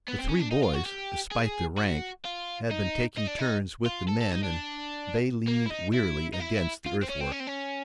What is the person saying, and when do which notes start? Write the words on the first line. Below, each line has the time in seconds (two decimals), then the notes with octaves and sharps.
The three boys, despite their rank, had been taking turns with the men and they leaned wearily against the earthwork.
0.08 B3
0.19 C4
0.29 C#4
0.40 D4
0.51 D#4
0.63 F4
0.74 F#4
0.86 G4
1.31 G#4
1.78 F#4
2.25 F4
2.71 D#4
3.17 D#4
3.27 D4
3.39 D#4
3.86 F4
4.08 A4
4.21 A4
4.32 D#4
4.43 D4
5.48 A#3
5.66 E4
5.71 D#4
5.94 E4
6.34 D#4
6.40 E4
6.87 F4
7.03 C4
7.10 C#4
7.21 C4
7.32 C#4
7.40 C4
7.47 C#4